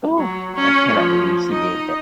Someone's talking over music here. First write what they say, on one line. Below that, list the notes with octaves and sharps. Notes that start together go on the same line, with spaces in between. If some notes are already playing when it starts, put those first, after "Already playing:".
ooh, I cannot believe she did that.
F#3
C#4
F3
D#4 D#5